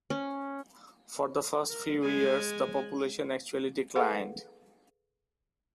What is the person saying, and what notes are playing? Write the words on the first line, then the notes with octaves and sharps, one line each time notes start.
For the first few years the population actually declined.
C#4
A#4
G#3 G#5
G#4 A4 B4 F5 F#5